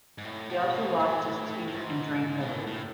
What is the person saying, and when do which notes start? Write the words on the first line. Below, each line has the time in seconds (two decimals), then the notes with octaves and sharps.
He also lost his teeth and drank heavily.
0.18 G#2
0.25 A2
0.50 B2
0.74 C#3
0.93 G#2
0.99 A2
1.67 A2
1.73 G#2
2.40 B2
2.48 A2
2.67 A2